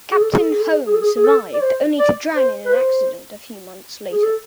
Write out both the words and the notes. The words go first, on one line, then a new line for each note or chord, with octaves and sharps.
Captain Holm survived, only to drown in an accident a few months later.
G#4
A4
G#4
A4
G#4
A4
G#4
G#4
A4
G#4
G#4
A4
D5
C5
D5
C5
B4
C5
G#4
A4